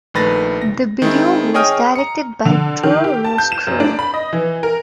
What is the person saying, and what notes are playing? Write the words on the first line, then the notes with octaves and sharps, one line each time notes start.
The video was directed by Troy Roscoe.
A#1 D#3 A3 B4 A6 A#6
A#6
D#3 G#3 C4 E4
G#4 C#5 D#5 G5 D#6 F6
A#5 C#7
D3
D#3
G4
A5
G6
E7
F#2
D4
B5
D#5
E3
A#4